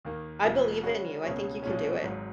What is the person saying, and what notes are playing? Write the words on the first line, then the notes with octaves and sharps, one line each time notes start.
I believe in you. I think you can do it.
D#2 D#3 A#3
F1 F2 F3 A#3
C#3 G#3 C#4 F#4
C#2 B2 A#3 C#4 G#4
B1 A#2 G#3 C#4
G#1 G#2 F#3